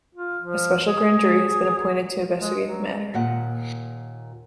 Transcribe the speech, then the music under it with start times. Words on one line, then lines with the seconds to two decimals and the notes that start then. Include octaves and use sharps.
A special grand jury has been appointed to investigate the matter.
0.15 F4
0.42 F3
0.86 G#4
2.40 G#3
2.66 F#3
3.14 D#2 A#2 F#5